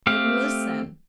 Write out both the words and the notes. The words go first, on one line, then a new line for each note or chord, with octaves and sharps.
"Then, listen!"
A3 C4 G4 F5